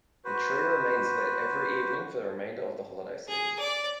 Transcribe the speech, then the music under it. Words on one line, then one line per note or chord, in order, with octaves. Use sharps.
The tree remains lit every evening for the remainder of the holiday season.
F#4 B4 C5
G#4
D5